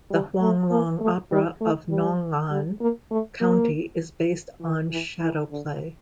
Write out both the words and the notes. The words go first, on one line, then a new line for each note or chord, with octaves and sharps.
The Huanglong opera of Nong'an County is based on shadow play.
G3
A3
A#3
A3
G3
A3
G3
G3
A#3
A3
A#3
E3
E3
E3
D3